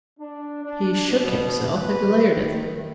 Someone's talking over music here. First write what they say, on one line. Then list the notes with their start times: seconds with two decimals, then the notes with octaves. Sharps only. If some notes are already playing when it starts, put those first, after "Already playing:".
He shook himself and glared at them.
0.19 D4
0.64 D4
1.09 B2
1.73 B4
2.29 D#3